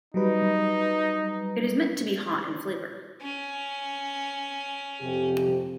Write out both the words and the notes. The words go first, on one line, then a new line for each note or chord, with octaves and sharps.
It is meant to be hot in flavor.
F#3 G3 D#4 B4
C#4
F2 C3 G4